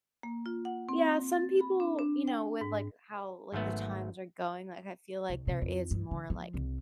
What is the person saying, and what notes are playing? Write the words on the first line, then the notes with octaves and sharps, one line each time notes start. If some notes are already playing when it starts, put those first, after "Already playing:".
yeah, some people, you know, with, like, how, like, the times are going, like, I feel like there is more, like
A#3
F4
F#5
C4
A6
B5
D4
D4
G5
G#2
G#1 G#2 F#3 A3 B3
C2
C3
F2
G2
D3
F3
C2